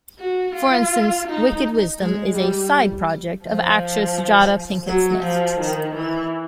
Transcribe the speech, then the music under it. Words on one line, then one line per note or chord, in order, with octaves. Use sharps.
For instance, Wicked Wisdom is a "side project" of actress Jada Pinkett Smith.
F#4
F4
D#4
G#3
G3
F3
F#3
F3
D#3
E3